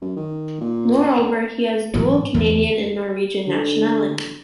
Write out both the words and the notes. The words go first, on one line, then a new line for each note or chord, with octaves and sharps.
Moreover, he has dual Canadian and Norwegian nationality.
F#2
D#3
A#2
G#2 B2 E3 F#3
E2 D3
D3